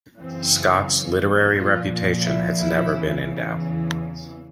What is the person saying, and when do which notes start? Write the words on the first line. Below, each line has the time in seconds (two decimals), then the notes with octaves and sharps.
Scott's literary reputation has never been in doubt.
0.19 F#2 C#3 E3 C4
1.56 A#2 F3 F4
2.25 E4
2.59 E4
2.94 E2 C#3 E3